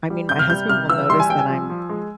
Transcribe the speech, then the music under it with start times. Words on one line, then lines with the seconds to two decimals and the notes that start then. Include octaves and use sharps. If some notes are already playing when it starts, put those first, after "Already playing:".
I mean, my husband will notice that I'm
0.10 G3
0.29 C3 G6
0.39 F6
0.50 G3 G6
0.69 C3 F6
0.90 E3 E6
1.10 G3 C6
1.20 G#5
1.29 G3 G5
1.39 G#5
1.50 F3
1.70 F3
1.89 G#3